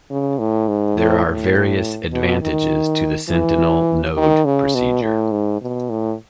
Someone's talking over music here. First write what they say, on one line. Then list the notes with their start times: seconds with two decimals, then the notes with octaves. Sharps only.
There are various advantages to the sentinel node procedure.
0.11 C#3
0.39 A2
0.68 G#2
0.98 A2
1.26 A2
2.13 B2
2.42 D#3
3.29 E3
4.17 D#3
4.46 C#3
4.75 B2
5.03 A2
5.32 G#2
5.62 B2
5.90 A2